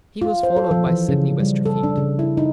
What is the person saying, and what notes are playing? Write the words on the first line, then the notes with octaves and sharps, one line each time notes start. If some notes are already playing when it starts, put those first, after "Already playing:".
He was followed by Sydney Westerfield.
F4
C5
A4
F3
E3
C#3
G3
A4
D4
C#3
E4
D#4